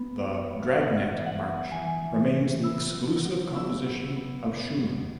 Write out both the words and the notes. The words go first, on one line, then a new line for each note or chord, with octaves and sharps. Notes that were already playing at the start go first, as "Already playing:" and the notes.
The "Dragnet March" remained the exclusive composition of Schumann.
Already playing: B3
F#3
C#5
B3
B3 F#5
E3
F#5
B3
E3 G#5
E3
E3
B3 E6
F#3
F#3
B3 E6
F#3
B3
B3
F#3